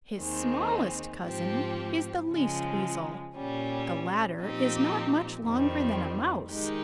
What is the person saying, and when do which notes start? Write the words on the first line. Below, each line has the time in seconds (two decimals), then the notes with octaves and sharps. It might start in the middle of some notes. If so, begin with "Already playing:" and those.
His smallest cousin is the Least Weasel. The latter is not much longer than a Mouse.
0.18 D#2 D#3 G#3 C4
1.24 G#2 F3 C4 G4
2.29 C#3 F3 G#3
3.34 A#2 G3 C#4
4.39 A#2 F3 C4 D#4 G4
5.44 F2 D#3 G3 C4
6.50 D#3 G#3 D#4 G4